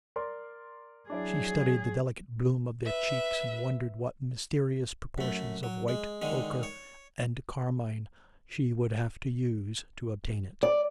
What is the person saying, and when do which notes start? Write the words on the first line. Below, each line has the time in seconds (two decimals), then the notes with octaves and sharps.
She studied the delicate bloom of their cheeks, and wondered what mysterious proportions of white, ochre, and carmine she would have to use to obtain it.
0.16 A#4 D5 C6
1.10 F#3 D4 E4 G#4 D5
2.85 B4 E5
5.18 F#2 A3
5.63 F#3
5.88 G#3
6.22 D3 D#3 G#3
6.63 C#5
10.63 D5